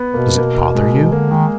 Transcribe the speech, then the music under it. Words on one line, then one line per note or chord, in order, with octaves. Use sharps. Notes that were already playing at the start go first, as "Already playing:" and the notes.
"Does it bother you?"
Already playing: B3
B2 A#3
A#3
G#3
D3 A#3
D#3 G#3